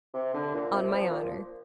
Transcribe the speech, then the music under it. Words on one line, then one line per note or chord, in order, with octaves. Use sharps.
"On my honor."
C3
D3
A#2
C3
G3
F3
A#2